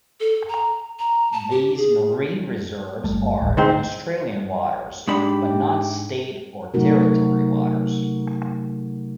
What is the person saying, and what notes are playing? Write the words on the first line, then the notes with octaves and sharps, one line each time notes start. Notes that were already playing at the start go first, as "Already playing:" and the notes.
These marine reserves are in Australian waters, but not state or territory waters.
A4
A#5
A#5
A5
G4
G#4
G1 G3 A3
D1 A1
G#2 D3 C4 C5
G#2 D4 G4 B5
C3 F#3 A3 D#4 F#4 A#4